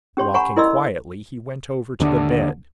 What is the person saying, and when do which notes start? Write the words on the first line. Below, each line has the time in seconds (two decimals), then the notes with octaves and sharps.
Walking quietly, he went over to the bed.
0.17 C#4 G4 C#5 C6
0.34 C#5 F#5 G#5 A#5 B5 C#6
0.56 E4 A#4 D5 D#5 C6 E6
2.00 D#2 D3 D4